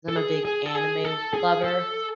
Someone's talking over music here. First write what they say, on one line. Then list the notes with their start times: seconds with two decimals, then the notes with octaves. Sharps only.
'cause I'm a big anime lover,
0.09 A4
0.16 G#4
0.45 G#4
0.66 A4
0.75 G#4
1.05 A4
1.34 G#4
1.64 A4